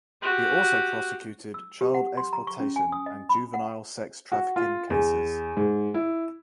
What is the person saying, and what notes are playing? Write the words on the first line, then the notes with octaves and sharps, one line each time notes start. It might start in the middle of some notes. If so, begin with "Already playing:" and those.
He also prosecuted child exploitation and juvenile sex trafficking cases.
F#4 G4
E6
G4
F#5
C6
A#5
C#6
C#4
G#5
D#6
D#5
B5
F#5
F#4
F4
E2
G#2
E4